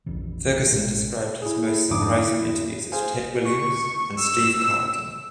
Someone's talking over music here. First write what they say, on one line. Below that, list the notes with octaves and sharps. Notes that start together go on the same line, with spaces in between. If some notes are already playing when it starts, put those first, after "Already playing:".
Ferguson described his most surprising interviews as Ted Williams and Steve Carlton.
F1 A#1 F2 E3
A1 B2 G#3
E4 G#4
F2 G#2 D3 D4 D6 D#6
E4
G#4 C5 F5 G#5
C#6
E6